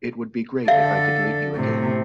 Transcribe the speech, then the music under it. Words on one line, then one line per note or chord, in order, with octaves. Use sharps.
It would be great if I could meet you again.
D3 A4 E5 F5
A2 C3